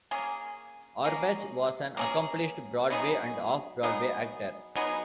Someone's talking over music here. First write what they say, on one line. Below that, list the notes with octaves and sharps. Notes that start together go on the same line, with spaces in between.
Orbach was an accomplished Broadway and off-Broadway actor.
A#3 C#4 G#4
A#3 C#4 G#4
A#3 C#4 G#4
F#3 B3 D#4 G#4
F#3 B3 D#4 G#4
F#3 B3 D#4 G#4